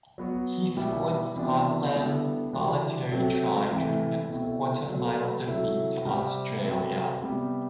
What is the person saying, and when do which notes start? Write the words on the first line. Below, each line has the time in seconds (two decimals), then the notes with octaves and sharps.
He scored Scotland's solitary try during its quarter-final defeat to Australia.
0.18 F#3 B3 F#4
0.77 B2 G3 B3 E4
1.36 C3 E3 B3 D4 F#4
1.94 D3 G3 B3 E4
2.53 E3 G3 D4 F#4
3.12 C3 F#3 A3 C4
3.71 C3 E3 A3
4.29 B2 A3 C4 E4
4.89 B2 F#3 A3
5.47 C3 F#3 A3 E4
6.05 C3 G3 C4
6.65 C3 F#3 A3 C4
7.22 C3 G3 B3